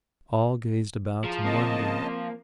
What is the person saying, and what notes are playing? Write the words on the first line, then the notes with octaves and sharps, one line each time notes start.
All gazed about in wonder.
F3 G#4 A#5
C#3 A#3 C4 D#5 A5